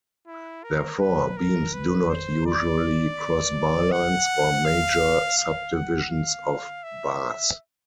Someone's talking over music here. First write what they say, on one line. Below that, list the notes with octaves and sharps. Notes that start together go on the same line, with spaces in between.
Therefore, beams do not usually cross bar lines or major subdivisions of bars.
E4
A#4
B4
A#4
B4
C5
D5
F#5
F5
F5
F#5
F5
E5